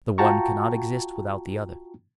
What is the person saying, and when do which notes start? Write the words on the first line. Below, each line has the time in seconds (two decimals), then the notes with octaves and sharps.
The one cannot exist without the other.
0.18 F4 F#4 G5 A5 A#5 C#6